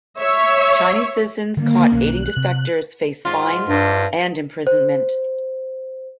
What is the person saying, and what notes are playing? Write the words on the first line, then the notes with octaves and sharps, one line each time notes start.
Chinese citizens caught aiding defectors face fines and imprisonment.
C#5 E5
D3 D#3 G3 A#3
B1 D#3 C#4 F#6
C3
G#2 F4
G2 D4
C5